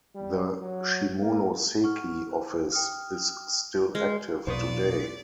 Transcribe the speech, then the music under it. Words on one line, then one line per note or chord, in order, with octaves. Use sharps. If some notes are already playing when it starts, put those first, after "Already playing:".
The Shimonoseki office is still active today.
G3
F#3
A#3
F#5 C#6 F6
B4 C5
G5 D#6 F6
G#3 F6
B1 E2 A#2 B3 C5 D5 C#6 D#6